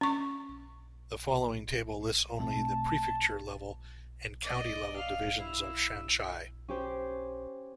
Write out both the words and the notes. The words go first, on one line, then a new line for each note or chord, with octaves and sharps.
The following table lists only the prefecture-level and county-level divisions of Shaanxi.
C#4 C#6
B2 A3 C4 A5
D5 D#5
F5
E4
C#4 G4 C5